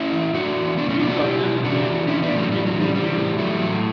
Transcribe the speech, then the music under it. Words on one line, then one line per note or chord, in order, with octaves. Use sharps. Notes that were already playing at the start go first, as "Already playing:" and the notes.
These are designated to individual ministries.
Already playing: C#4 E4
E3
A2 D4 F#4
E3
B2 B3 D4
A3 C#4
B2 B3 D4
D4 F#4
B2 E4 G4
B2
E3 D4 F#4
E3
E3 C#4 E4
B3 D4
A2
F#3 A3
E3 G3
F#3
E3
G3
E3 G3
A2
E3 F#3 A3
A2